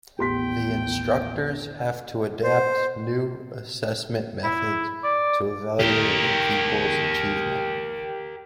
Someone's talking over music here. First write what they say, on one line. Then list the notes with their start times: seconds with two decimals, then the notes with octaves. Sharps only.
The instructors have to adapt new assessment methods to evaluate the pupils' achievement.
0.19 A1 D#2 B3 G4 G5 C6 B6
2.43 C5
4.44 E4
5.04 D5
5.79 G4 A#4